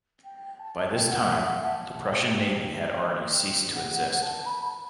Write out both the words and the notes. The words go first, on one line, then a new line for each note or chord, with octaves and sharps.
By this time, the Prussian Navy had already ceased to exist.
G5
A5
G5
F#5
E5
F#5
A5
A5
G5
F#5
F#5
A5
B5
A5